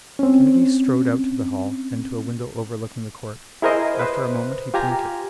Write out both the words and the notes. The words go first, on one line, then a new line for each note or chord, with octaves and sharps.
Kennedy strode out to the hall, and to a window overlooking the court. After a moment he pointed.
C4 C#4
E4 G#4 A#4 C5 D#5
B4 C5
F4 G4 G#5 A#5